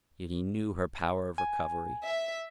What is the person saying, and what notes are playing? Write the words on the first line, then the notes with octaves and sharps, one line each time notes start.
Yet he knew her power of recovery.
G#5
E5